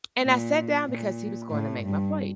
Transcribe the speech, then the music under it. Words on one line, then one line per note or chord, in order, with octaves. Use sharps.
and I sat down because he was going to make my plate,
A#2
A#2
A2
G2